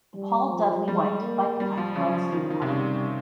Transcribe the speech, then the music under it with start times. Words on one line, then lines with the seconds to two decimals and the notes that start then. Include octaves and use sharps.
The Paul Dudley White Bike Path runs through the park.
0.16 G3
0.52 F3
0.88 G3 G#3
1.23 A#3
1.60 G3
1.78 F3
1.95 C#3 F3
2.32 D#3
2.50 D#3
2.62 C3
2.68 C#3 G3